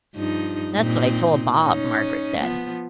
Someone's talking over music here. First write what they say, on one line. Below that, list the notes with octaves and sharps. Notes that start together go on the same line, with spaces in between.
"That's what I told Bob," Margaret said.
G2 F3 D#4
A#2 C4 D#4
C#4 D#4
F3 B3